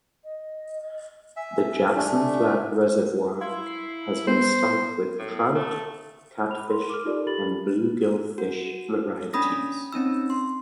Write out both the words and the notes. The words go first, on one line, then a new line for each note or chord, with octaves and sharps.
The Jackson Flat Reservoir has been stocked with trout, catfish, and bluegill fish varieties.
D#5
E5 G#5
A3 D4
E4 F5 C6 G#6
C7
B3 C5
A2
A3
B5 F7
A#4 C6
D6 F6
D#4 F4 G4 A4 A#4 D5
F4 G4 A4 B5 A6 F#7
F#4
C#4 D4 B5 D#6 A#6
C4 C#4 D#4 E6
C6